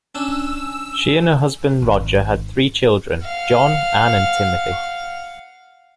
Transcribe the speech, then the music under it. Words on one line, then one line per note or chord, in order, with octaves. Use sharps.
She and her husband, Roger, had three children: John, Anne and Timothy.
C#4 D4 G#5 E6
G#1
F5 F#5